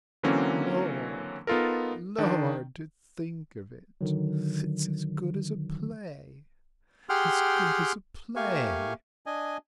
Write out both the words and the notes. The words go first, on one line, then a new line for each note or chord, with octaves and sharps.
Lord, Lord!--to think of it; it's as good as a play--as good as a play!'
D3 E3 F#3 A#3 C4 C#4
B3 D#4 F4 A4 A#4
D#3 D4
D3 D#3 F#3
G4 G#4 F#5 G5 C6 F6
A3 A#3 G4 F5 G#5 C#6
D4 D#5 G#5